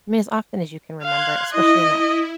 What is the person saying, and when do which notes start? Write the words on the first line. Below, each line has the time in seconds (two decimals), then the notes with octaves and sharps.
mean, as often as you can remember, especially in that
1.03 F5 C6 F#6 G#6
1.53 E4 D#5